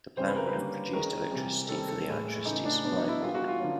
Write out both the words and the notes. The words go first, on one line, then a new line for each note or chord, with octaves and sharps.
The plan would have produced electricity for the Electricity Supply Board.
C#3 E3 G3 C4 C5
B4
A#4
B4
D3 G3 A#3 C#4
D#3 G#3 C#4 A#4
C3 E3 G3 C4
D#3 G3 C4 A4
A4
A2 E3 G#3
C#3 E3 A3 D#4
D4
B2 F#3 B3 D4
D#4
E4
E3 G3 B3 F4
F#4
F4
D3 F3 A#3 C#4